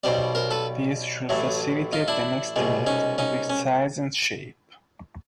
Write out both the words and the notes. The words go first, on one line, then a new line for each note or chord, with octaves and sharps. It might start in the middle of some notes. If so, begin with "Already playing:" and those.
This should facilitate an estimate of its size and shape.
B1 B2 G3 C5 D5
A#4 C5
A4 B4
A1 A2 F#3 A3
D#4 F4
D4 E4
C2 B2 G#3
C#4 D#4
C#4 D#4
C#4